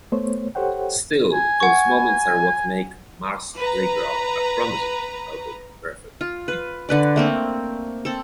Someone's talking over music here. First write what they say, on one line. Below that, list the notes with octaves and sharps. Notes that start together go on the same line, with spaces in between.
Still, those moments are what make "Marcy Playground" a promising, albeit imperfect, debut.
A3 B3 C5 C#5
G4 A4 C5 C#5 F#5 G5
G#5
F#5 C#6
B4 A#5
F4
B4
D3 B4 D5
A3 A#3 C4
C4 A4